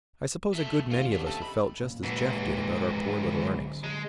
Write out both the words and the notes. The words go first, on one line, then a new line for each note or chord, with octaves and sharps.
I suppose a good many of us have felt just as Jeff did about our poor little earnings.
F#2 A3
D#2 A2 C#3 F4
C#3 G3 B3 C4 D4
E4 A4 D#5 G5 A5
B5
A#2 A#3 C#4
G#2 E3
D3 F#3 C#4
G#3